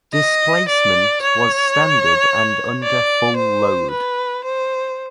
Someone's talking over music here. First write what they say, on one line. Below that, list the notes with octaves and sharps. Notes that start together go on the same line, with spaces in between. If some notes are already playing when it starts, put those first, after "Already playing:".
Displacement was standard and under full load.
D#5
D5
C#5
D5
C5
B4
C5